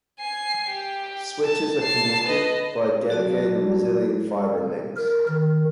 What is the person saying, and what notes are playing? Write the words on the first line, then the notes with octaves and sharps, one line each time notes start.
The switches are connected by dedicated resilient fibre links.
G#5 C7
G4
A5
A5 C7
B4 D#5
F#3 F#4 D5 A5
A#4
D#3